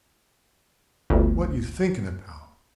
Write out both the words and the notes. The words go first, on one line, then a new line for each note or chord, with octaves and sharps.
What you thinking about?
G1 D2